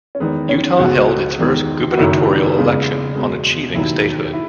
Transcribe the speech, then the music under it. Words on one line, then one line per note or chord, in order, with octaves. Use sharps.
Utah held its first gubernatorial election on achieving statehood.
C#4
E2 D#3 G#3 B3
C#4
C#2 B2 G#3 F#4
E2 D#3 G#3
F#4
F#1 F#2 D#3 F#3 E4
E2 C#3 G#3
E2 B2 G#3
E1 D#2 D#3 F#3 E4
E4